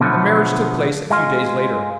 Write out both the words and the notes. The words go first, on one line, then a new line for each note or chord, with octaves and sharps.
The marriage took place a few days later.
B2 D3 F3 F#3 A3 B3
G#3 F4